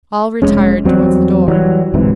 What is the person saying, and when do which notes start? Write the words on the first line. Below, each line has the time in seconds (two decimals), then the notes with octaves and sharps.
All retired towards the door.
0.42 F1 G2 G#3 C#4
0.85 E2 F#3 G3 C4
1.48 E3 F#3 G3
1.94 D1 G#2 C3 E3